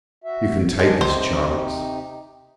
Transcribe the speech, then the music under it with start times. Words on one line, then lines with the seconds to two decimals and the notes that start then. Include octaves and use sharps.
You can take this chance.
0.24 F#4 E5
0.79 G#3 D4 D#4 G#5
1.01 C3 D#4 G4 C5